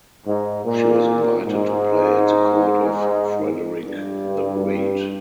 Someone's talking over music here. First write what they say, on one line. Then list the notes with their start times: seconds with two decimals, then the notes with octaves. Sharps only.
She was invited to play at the court of Frederick the Great.
0.25 G#2
0.64 A#2
1.45 G#2
3.85 G2